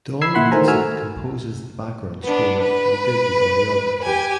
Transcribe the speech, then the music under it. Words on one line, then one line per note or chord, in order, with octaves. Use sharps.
Dawn Vincent composes the background score and did the audiography.
B5 E6 G#6 C7
A#2 E4 F#5 B5 C6
D#3 A3 A#4 C5 G#5 A#5
A3 F#4 G#5 E6 F6
B3 D4
B4
G4 G#5